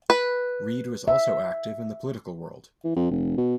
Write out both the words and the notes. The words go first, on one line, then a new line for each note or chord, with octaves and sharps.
Reed was also active in the political world.
B4
E5
E3
F2
F1
B2